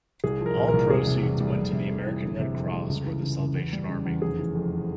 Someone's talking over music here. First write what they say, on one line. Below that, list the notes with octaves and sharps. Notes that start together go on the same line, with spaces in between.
All proceeds went to the American Red Cross or The Salvation Army.
C2 G#4
F3
A#4
A#2
C2 A#4
E1 G#4
C3
E2
G3
F1
C3
F2
E3
G1
C3
F2
G3
C#2
E3
C#3
C#2
E2
G3
C#3
E2
F1 G#4
E3
F2